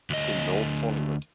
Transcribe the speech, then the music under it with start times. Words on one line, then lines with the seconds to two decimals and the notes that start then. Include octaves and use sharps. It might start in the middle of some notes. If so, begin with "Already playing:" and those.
In North Hollywood.
0.10 D2 D#5